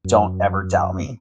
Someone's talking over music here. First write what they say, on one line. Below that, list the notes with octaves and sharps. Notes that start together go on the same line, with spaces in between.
"Don't ever doubt me,"
F#2